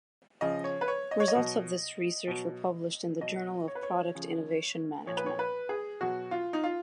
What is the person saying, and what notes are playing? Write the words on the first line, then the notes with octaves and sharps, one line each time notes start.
Results of this research were published in the Journal of Product Innovation Management.
C#3 F3 D#5
C#5
B4
C#5
D#5
C#5
D#5
B2 F#3
B2 F#3
B2 F#3 D#5
C#5
B4
C#5
C#3 F3
A#2 F3 C#5
B4
C#5
B4
G#4
B2 F#3 F#4
F4
D#4
F4